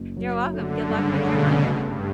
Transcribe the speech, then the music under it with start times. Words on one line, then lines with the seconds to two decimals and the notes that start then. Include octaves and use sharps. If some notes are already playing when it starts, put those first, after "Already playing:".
You're welcome. Good luck with your hunt.
Already playing: F#1 F#2
0.17 F#3
0.53 D3 A3
0.89 G2 C#3
1.26 A1 B2
1.63 G2 A3